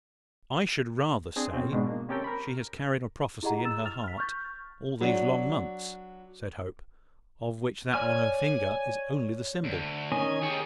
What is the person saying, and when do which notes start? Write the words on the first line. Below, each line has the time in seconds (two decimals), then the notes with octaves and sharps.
"I should rather say she has carried a prophecy in her heart all these long months," said Hope, "of which that on her finger is only the symbol."
1.36 C4 D4 G#4
1.53 B2 C4 C#4
1.72 G#2 B2 G#3 D4
1.87 A#3
2.09 C4 C#4 G4 A4 A#4 G5
2.24 A#4 B5
3.43 E4 G4 G#4 D#5 F#5 A#5
3.64 E6 A6 E7
3.85 F6 A6 F7
4.04 F6 B6
4.18 C#6 F6 G6 A6
5.01 F#3 D4
7.94 C#5 D5 G#5 F6
9.64 D2
10.12 D#3 C#4 D#5 G#5
10.42 D#3 G4 G#4 C#5